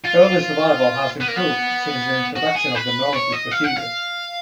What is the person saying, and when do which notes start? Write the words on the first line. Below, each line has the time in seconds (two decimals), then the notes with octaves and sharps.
Early survival has improved since the introduction of the Norwood procedure.
0.04 F4
1.20 B3
1.28 A#3
1.36 B3
2.36 F#4
2.55 G#4
2.75 B4
3.13 C#5
3.32 D#5
3.51 F5
3.64 F#5
3.77 F5